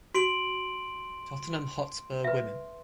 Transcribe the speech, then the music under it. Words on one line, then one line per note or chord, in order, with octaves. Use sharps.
Tottenham Hotspur Women.
F#4 C6 D7 F#7
B4 E5